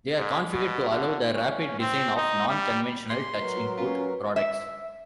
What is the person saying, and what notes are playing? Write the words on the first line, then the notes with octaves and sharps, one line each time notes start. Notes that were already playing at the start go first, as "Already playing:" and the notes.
They are configured to allow the rapid design of non-conventional touch input products.
G#2
B2
D3
C#4
C4
D#4
G3
G4 G#4 C6
F#3 F#4 A#4 B4
C#4 F4 B4
E5